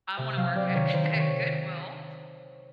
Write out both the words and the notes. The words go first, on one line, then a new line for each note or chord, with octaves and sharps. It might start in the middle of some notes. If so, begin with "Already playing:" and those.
I wanna work at at Goodwill,
C3 E5
F#3 F5
C3 D5
D#3 C#5
D#3 C5
C3
C#5